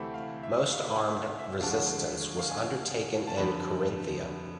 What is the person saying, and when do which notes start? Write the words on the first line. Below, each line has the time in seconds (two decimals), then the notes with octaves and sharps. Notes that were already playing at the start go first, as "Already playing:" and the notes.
Most armed resistance was undertaken in Carinthia.
Already playing: D2 C3 E3 A3 C4 B5
0.14 F5
0.43 E5
0.73 F5
0.94 G#5
1.39 E5
1.61 D2 D3 F3 G#3 F5
2.39 F5
2.49 G#5
3.27 A5
3.37 F2 D3 F3 B5